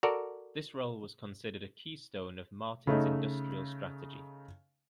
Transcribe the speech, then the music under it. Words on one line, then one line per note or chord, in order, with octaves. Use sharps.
This role was considered a keystone of Martin's industrial strategy.
F#4 A4 A#4 D5
C#3 A3 D#4